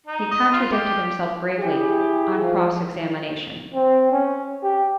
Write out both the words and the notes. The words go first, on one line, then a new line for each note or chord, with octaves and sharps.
He contradicted himself gravely on cross-examination.
D#4
D#5
F4
G4
E4 G4 G#4
F3
C4
C#4
G4